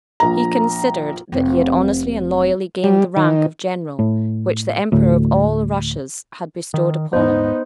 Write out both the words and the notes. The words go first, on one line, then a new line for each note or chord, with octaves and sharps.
He considered that he had honestly and loyally gained the rank of general which the Emperor of all the Russias had bestowed upon him.
A#1 A#5
F1 C4
G3
D#3
A2
D2 A2
D#3
D#1 G#2 B3 D#4 C5